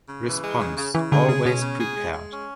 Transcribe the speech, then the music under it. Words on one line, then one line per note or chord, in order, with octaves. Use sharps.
Response - Always prepared!
C#3
E3
G#3
C#3
C#3
C#3 E3
D3 G#4
C#3 G#3
B2 C#4
C#3
G#4
G#3
G#3
C#4